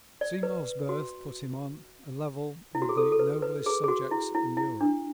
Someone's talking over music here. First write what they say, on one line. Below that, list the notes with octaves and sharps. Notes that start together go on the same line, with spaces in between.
Seymour's birth put him on a level with the noblest subjects in Europe.
D5
B4
F#4
E4
F#4
G#4
A4
A4
B4
B4
G#4
G#4
F#4
E4
E4
E4
D4